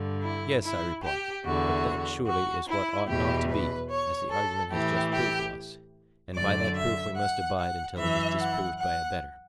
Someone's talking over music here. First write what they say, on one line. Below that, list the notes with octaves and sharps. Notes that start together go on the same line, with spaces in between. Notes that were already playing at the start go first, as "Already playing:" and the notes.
Yes, I replied; but that surely is what ought not to be, as the argument has just proved to us; and by that proof we must abide until it is disproved by a better.
Already playing: G2 D3
E4
E4
G4
E2 D3 F#4
F#4
E4
E2 B2 G4
B4
C#5
A4
A2 E3 G4
G4
F#2 D3 D5
E5
F#5
F#5
F#2 E3 E5
F#5
F#5